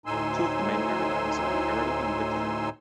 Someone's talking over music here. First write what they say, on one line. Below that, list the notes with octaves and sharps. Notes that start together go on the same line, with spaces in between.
Two of the main paradigms are imperative and declarative.
D2 A2 D#4 G#5 C6 E6